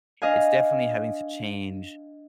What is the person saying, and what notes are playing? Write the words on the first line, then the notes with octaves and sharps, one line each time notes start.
it's definitely having to change,
D4 D#5 F5 G#5